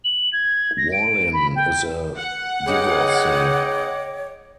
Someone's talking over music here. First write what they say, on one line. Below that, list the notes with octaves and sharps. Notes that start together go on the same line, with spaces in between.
Wallin is a divorcee.
F#7
G#6
A#6
D7
B5
G5
F#5
B3 D#4 G#4 C#5 D#5 G5 D6